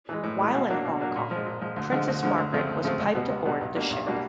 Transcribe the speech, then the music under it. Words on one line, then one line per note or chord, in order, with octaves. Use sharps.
While in Hong Kong, Princess Margaret was piped aboard the ship.
E3 G#3
A2
E3 G#3
B2
F#3 A#3 D4
B2
F#3 A#3 D4
A#2
F3 G#3
A#2
F3 G#3
D2
D3 F3 G#3
D2
D3 F3 G#3
D2
C#3 F3 A3 C4
D2
C#3 F3 A3 C4
C#2
B2 G3 B3
C#2
B2 G3 B3
B1
B2 G3 A#3 D4
B1
B2 G3 A#3 D4